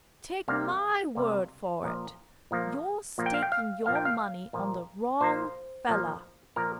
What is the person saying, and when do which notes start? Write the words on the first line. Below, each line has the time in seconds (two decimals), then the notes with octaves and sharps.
Take my word for it, you're staking your money on the wrong fellah.'
0.48 C3 G3 A#3 F5
1.15 C3 G3 A#3
1.83 A#2 F3 A#3
2.51 A#2 F3 A#3
3.18 A#2 F3 A#3
3.26 G5
3.34 F5
3.43 G5
3.52 F5
3.86 A#2 F3 A#3 F5
3.95 G5
4.05 F5
4.53 A#2 F3 A#3
5.21 A#2 F3 A#3 C5
5.89 A#2 F3 A#3
6.56 A#2 F3 A#3 A#4